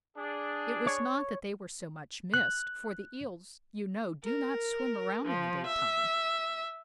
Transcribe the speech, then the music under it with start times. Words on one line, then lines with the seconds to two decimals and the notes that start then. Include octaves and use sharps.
It was not that they were so much missed, for the Eels, you know, do not swim around in the daytime.
0.17 D4 G#4
0.87 C#5
2.34 F#6
4.24 A#4
5.25 F3
5.68 E5